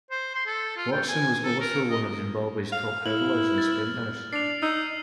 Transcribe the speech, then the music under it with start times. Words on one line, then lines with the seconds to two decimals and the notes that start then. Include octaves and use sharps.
Watson was also one of Zimbabwe's top hurdlers and sprinters.
0.10 C5
0.35 C6
0.46 A4
0.77 F4
0.92 G5
1.08 G#5
1.44 A4
1.60 A#4
1.91 D#5
2.72 F5
3.06 E4 F6 F#7
3.58 A6
4.33 D4 C7 F7
4.63 D#4 E6